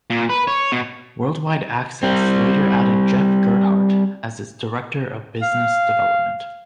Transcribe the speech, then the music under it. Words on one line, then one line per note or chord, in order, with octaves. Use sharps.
WorldWide Access later added Jeff Gerhardt as its Director of Business Development.
A#2
B4
C#5
B2
G3 C4
F5